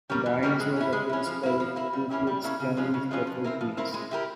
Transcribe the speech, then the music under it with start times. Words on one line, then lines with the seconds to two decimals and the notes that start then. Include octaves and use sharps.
Byrnes was opposed by the Ku Klux Klan, which preferred Blease.
0.10 G3 A#3 C#4 G4
0.26 E3
0.43 G3 A#3 C#4 G4
0.60 G#3
0.76 C#4 E4
0.93 G#3
1.09 C#4 E4
1.26 F3
1.43 A#3 E4
1.60 F3
1.76 A#3 E4
1.93 G3
2.10 A#3 C#4 E4 G4
2.27 G3
2.44 A#3 C#4 E4 G4
2.60 C#3
2.77 F3 G#3 C#4 F4
2.94 C#3
3.11 F3 G#3 C#4 F4
3.27 F3
3.44 C4 E4 A#4
3.61 F3
3.77 C4 E4 A#4
3.94 G#3
4.11 E4 G4 A#4